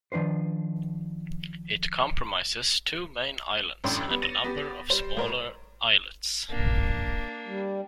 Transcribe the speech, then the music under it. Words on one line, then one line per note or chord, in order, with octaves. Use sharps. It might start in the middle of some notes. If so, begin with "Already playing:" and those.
It comprises two main islands and a number of smaller islets.
D#3 F3 D4 B4 C5
A1 F#2 A2 D4 G5 C6
G3 B3
A6 A#6 C#7 D#7
B3 G4
G3 C5
A2 A#4 C5
A#3 D4
G3